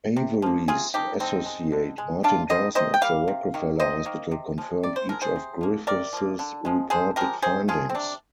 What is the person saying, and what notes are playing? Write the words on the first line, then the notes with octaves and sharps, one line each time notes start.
Avery's associate Martin Dawson at The Rockefeller Hospital confirmed each of Griffith's reported findings.
C3
F3 A#3
C3 F4 G#4
F3 A#3 D#4 G4
D3 C4 D#4
G#3
D3
G#3
C3 D4 F4
G3 A#3 C5 D#5
C3 C5 D#5
G5
G3 A#3 F5
C3
D#3 A#3
C3 C5 D#5
D#3 A#3
C3
F3 G#3
C3 D5
C5
F3 G#3 A#4
G#4 C5
C3
F3 A#3
C3 A#4 D5
F3 A#3
D3
F3 G#3
D3 G#4 C5
F3 G#3 G4 A#4
C3 G#4 C5
F3 G#3 F4 G#4
C4
C3 D4